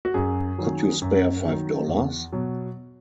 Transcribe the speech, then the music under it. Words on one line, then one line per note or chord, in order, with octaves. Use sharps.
Could you spare five dollars?
F#4
F#2 G#4
D#3 F#3
F#2
D#3 F#3
E2
B2 F#3